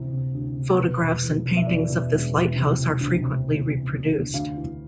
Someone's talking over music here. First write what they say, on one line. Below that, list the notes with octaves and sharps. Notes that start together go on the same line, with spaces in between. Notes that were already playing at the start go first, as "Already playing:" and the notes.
Photographs and paintings of this lighthouse are frequently reproduced.
Already playing: D2 C3 E3
C3
D2
C3
B2 B4
E1
E2
B2
E5
E2 D5
B2
E1
E2
C3
E3
D2
C3
E3
C3
C3
D2
D2 F5
E3